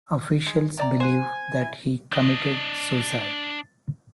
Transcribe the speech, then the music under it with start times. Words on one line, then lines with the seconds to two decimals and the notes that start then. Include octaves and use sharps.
Officials believe that he committed suicide.
0.47 G#3
0.77 C3 D5 A#5
1.00 C5 F#5 G#5
1.61 E4
2.12 D4 D#5